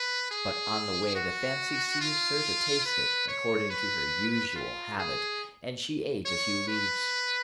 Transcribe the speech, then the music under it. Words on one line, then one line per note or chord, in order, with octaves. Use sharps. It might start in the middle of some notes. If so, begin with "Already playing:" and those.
But on the way the fancy seized her to taste it, according to her usual habit, and she ate a few leaves.
Already playing: B4
G#4
F#4
F4
B4
C#5
B4
F4
G#4
C#5
B4